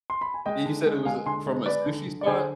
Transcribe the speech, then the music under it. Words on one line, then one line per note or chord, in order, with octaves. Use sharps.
And you said it was, uh, from a sushi spot?
C6
B5
G#5
G#3 D#5 G5
D3
G#3
G#3 F5 G#5
D3 G#5 C6
G#3
G#3 B4 D5
D3
D3
D5
D3 G#4 C5